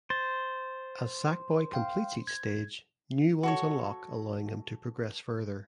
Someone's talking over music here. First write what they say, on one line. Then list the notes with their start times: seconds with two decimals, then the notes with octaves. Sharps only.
As Sackboy completes each stage new ones unlock allowing him to progress further.
0.10 C5 A6
1.72 F5 G5 C6
2.27 G#6
3.43 F#4 A4 C#5